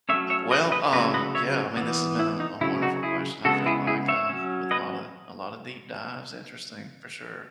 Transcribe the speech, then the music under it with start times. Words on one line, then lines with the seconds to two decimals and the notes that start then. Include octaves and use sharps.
Well, um yeah, I mean, this's been a a wonderful question, I feel like, um, with a lotta a lotta deep dives. Interesting, for sure.
0.09 F#3 A3 C#4 C#5 E5
0.30 C#5 E5
0.51 B4 D#5
0.72 B4 D#5
0.93 C#3 F#3 A3 B4 D#5
1.14 B4 D#5
1.35 C#5 E5
1.77 E3 B3
2.19 E4
2.40 D#4
2.61 C#3 F#3 C#4 E4
2.82 D#4 F#4
3.03 E4 G#4
3.45 C#3 G#3 B3 F#4 A4
3.66 E4 G#4
3.87 E4 G#4
4.08 C#5 E5
4.29 F#3 C#4
4.71 B4 D#5